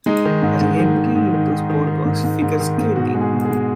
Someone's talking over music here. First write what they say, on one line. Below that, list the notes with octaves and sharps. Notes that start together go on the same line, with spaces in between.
Her entry into sport was figure skating.
G#3 D#4
D#3
G#2
G#2
D#3
D#3
G#2
D#3
D#3
D#3
D#3
G#2
G#2
G#2
D#3
G#2
B2 F#4
G#3
G#4
B2
G#4
G#3